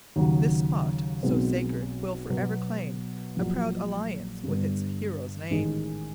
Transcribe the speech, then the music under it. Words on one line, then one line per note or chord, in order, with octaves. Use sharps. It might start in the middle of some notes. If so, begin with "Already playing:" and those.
This spot so sacred will forever claim A proud alliance with its hero's name.
D#2 C#3 F#3
B1 B2 G#3 C4
B2 F#3 B3
A#1 A#2 F#3
G2 D3 G3 B3
A1 G#2 D#3 G#3